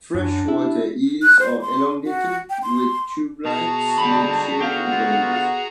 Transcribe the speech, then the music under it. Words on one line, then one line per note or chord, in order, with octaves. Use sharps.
Freshwater eels are elongated with tubelike, snake-shaped bodies.
F#2 D4
E4
F#6
C5
C6
F#4
G5
C6
B2 F#4 G#4 A5 A#5
G#2 B2 D3 G3 B5
D3 B3 G4 A4 F5 F#5
F4